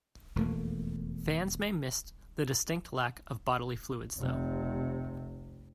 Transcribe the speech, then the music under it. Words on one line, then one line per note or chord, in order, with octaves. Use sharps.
Fans may miss the distinct lack of bodily fluids though.
E1 F2 A3 A#3
F1 C3